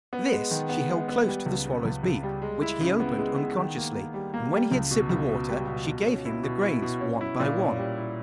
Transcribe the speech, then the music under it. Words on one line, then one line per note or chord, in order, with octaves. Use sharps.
This she held close to the swallow's beak, which he opened unconsciously, and when he had sipped the water she gave him the grains one by one.
B3
G#3
D#3
B3
G#3
B3
G3
C#2
C#3
C#2
C#2
G3
G#3
E4
C#3
B3
G#3
B3
D#3
A#3
A#3
G3
A#3
G3
C#2
B2
C#2
B2
G3
B2
B2
C#4
E4
B2
E4
B2
C#4
E4
A#2
C#4
G3
E4